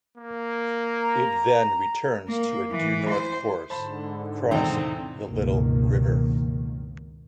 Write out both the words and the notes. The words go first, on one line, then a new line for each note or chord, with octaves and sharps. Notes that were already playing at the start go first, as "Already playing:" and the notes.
It then returns to a due north course, crossing the Little River.
A#3
A#5
A#3
E3
C5
G#2 D3 C5 A5 B5
E2 A2 C3 C4 D#4 E4 D5
C#2 G2 B2 D#3 A#3